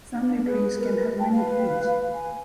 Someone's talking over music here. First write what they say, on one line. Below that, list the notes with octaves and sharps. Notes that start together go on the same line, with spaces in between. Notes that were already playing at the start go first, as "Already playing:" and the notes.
Family trees can have many themes.
D4
G#4 B4
A#4 B4
G5 A5
B4 F5
G#5